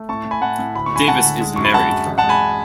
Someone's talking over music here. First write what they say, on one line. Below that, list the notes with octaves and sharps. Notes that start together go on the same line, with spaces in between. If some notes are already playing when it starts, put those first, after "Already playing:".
Davis is married.
Already playing: A3
A2 A5 C#6
A2
G#5 B5
A2 F#5 A5
A2
D2 B5
C#6
D2 G#5 B5
G#3 F#5 A5
D3
G#3
F#2 C#6
B5
G#3 F#5 A5
F#2
A1
F#5 A5
G#3
G#5 B5